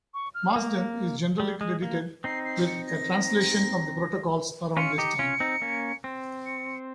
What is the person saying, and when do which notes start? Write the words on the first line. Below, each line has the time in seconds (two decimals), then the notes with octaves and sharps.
Marsden is generally credited with a translation of the "Protocols" around this time.
0.14 C#6
0.35 F6
0.56 A#3
1.40 G3
1.61 G#3
1.82 A#3
2.24 C4 D#4 C7
2.45 C7
2.66 C#7
2.88 A#6
4.77 C#4 F4 C#7
4.98 D#4 G4
5.19 C#4 F4
5.40 C4 D#4
5.62 A#3 C#4
6.04 C4
6.46 C#7